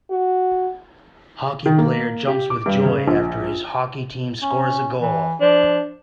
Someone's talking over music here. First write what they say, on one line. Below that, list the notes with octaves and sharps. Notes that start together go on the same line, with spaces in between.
Hockey player jumps with joy after his hockey team scores a goal.
F#4
D#3
A#3
G4
D6
G2
C#3
A#1
C#4
E3
F3 D4